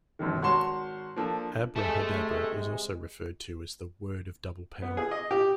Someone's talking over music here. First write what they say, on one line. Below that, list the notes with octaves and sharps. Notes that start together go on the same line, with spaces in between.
"Abrahadabra" is also referred to as the "Word of Double Power".
G1 F#2 B2 D#3
G#1 F#4 C#5 A5 C6 E7
F3 A#3 D4 A4
C3 G#3 A3 A5
B3
G#4
D#5
G4